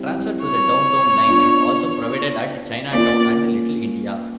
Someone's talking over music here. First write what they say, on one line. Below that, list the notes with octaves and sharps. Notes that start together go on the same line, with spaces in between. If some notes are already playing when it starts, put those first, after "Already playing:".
Transfer to the Downtown Line is also provided at Chinatown and Little India.
Already playing: G3 C4 E4
C#5
B3 D4 F4
A#3 C#4 F4 D5